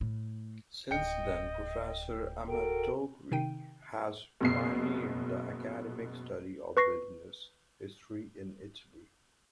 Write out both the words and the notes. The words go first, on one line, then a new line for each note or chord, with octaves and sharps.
Since then, Professor Amatori has pioneered the academic study of business history in Italy.
A2
D1 D#5 G5 C#7
F#4 A4 A#4 G5
C3 D#3 D#4 G5 D#7
F#1 B2 C7
B4 C#6 A#6 C7